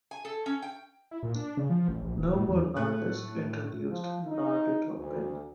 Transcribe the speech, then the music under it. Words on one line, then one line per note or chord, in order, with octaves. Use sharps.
Novo Nordisk introduced Norditropin.
G#5
A4
C#4
G5
E4
A#2
D4
C#3
F3
A1
A#1
D#1
A2
E2
A2 A3 F#6
F3
D#4
D2